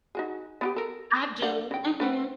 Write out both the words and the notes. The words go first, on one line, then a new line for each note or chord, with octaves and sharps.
I do, mhm.
D#4 F#4 G#4
B3 F4 G4
A4 A#4
D4 F5 F#5
C#3 G5
A3 B3 C4